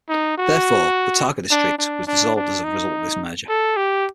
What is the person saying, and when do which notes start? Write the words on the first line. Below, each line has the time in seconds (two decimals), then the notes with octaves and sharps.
Therefore, the Taga District was dissolved as a result of this merger.
0.09 D#4
0.38 F#4
1.51 D4
1.78 D4
2.07 D4
2.36 D4
2.64 D#4
3.49 A4
3.77 G4